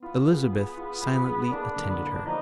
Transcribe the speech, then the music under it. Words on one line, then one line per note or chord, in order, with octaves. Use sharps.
Elizabeth silently attended her.
B3 F4
G#4
G#4
F4
G#4
G#4
A#3 D4
D3
B3
A#3
D4
F3 D#4